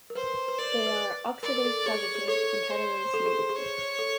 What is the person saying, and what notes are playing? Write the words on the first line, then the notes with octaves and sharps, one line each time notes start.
They are oxidase positive and catalase negative.
A#4
B4 C5
B4
A#4 D5
B4
B4
A#4 D5
A#4
A4
G#4 C#5
G#4
A4 C#5
C5
A4
G#4
G#4
C#5
A4